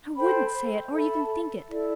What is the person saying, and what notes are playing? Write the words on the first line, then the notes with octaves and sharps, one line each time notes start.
I wouldn't say it, or even think it.
A4 C5 G5 B5
A4 E5 B5
E4 A4 D5